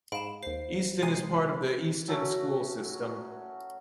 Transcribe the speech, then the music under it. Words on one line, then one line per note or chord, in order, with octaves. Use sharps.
Easton is part of the Easton School System.
G#2 F5 B5 D7 E7
D#2 C5 C7
C3 G#3 C7 D#7
F#3 A3 C#4 F#4